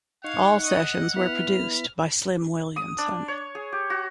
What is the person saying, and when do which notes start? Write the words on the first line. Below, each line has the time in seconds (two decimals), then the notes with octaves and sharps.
All sessions were produced by Slim Williamson.
0.24 D#4 F5 F#5 C#6 G#6
0.64 D#5 D#6
1.16 B3 E4 B5 F6
2.76 D#6
2.98 D4
3.28 C#5
3.55 G#4
3.72 G4
3.90 F#4